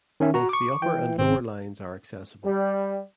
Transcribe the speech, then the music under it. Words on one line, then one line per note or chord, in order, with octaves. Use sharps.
Both the upper and lower lines are accessible.
D#3 C#4 E5
F#4 A#5
C#6 D6
E3 G5
G#1 C4
G3